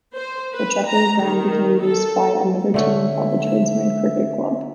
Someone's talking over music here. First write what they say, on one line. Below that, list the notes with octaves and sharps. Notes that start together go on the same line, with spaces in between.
The Chuckery ground became used by another team called the Tradesmen's Cricket Club.
C5
B4
A#5
D#3
A4
D3 A3 C#4 E5